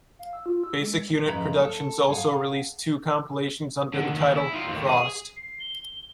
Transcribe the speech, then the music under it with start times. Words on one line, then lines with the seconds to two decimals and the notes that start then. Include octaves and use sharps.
Basic Unit Productions also released two compilations under the title, "Frost".
0.19 F5
0.33 E6
0.46 F4
0.64 E6
0.81 G#3
1.26 F2 C#3 E4 B4 A#5
1.59 A4
2.08 G#4 A4 D5 F5 F#5
3.94 D3 D#3
4.14 D#2 D#3
4.36 E4
4.52 D#3 F4
4.67 D#2 A2
4.86 G#4
5.37 C7
5.60 G7